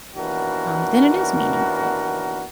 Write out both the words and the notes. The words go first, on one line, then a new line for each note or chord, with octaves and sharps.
then it is meaningful.
D#2 E3 B3 D4 F#4 A#4